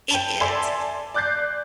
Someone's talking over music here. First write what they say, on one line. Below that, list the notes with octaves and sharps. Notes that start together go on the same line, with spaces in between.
It is.
G5 A5
A4 D5 E5 G#5 A5 C6
D5 D6 F#6 G6 A6 C7